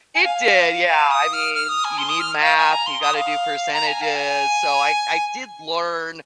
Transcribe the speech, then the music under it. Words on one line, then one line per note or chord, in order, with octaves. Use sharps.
it did, yeah, I mean, you need math, you gotta do percentages, so I I did learn
G#5
F5
D#6
F6
F6
D#6
G#5
C6
D#6
F6
F5
G#5
A#5
C6
D#6
F5
A#5
G#5
F5
G#5